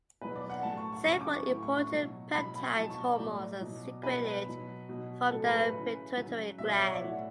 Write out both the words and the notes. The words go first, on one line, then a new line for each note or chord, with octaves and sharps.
Several important peptide hormones are secreted from the pituitary gland.
B2 F#3 B4
D5
F#5
A2 F#3 A5
C#6
C#6
C#3 F#3 C#6
D6
C#6
A2 E3 C#6
C#6
C#6
B2 F#3
B2 F#3 B5
B5
B2 F#3 A5
C#6
D5
A2 F#3 D5
B2 F#3
B2 F#3 B4
B4
B2 F#3
B2 F#3
A2 F#3 A4
B4
B4
C#3 E3
C#3 F#3
B2 F#3 E5
D5
C#5
D5
E5
A2 E3 F#5